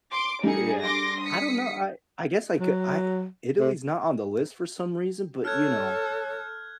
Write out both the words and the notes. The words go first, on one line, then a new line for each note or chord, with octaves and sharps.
Yeah, I don't know, I I guess I could I Italy's not on the list for some reason, but, you know,
C6 D6 D7
G3 D4 D#4 G#4 A4 C#7
C6 D6 A#6
D#6 B6 C#7
F#3
C3
A4 C#5 F6 F#6 G#6